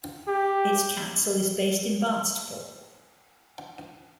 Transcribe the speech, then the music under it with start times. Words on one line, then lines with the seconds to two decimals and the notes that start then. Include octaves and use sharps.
Its council is based in Barnstaple.
0.28 G4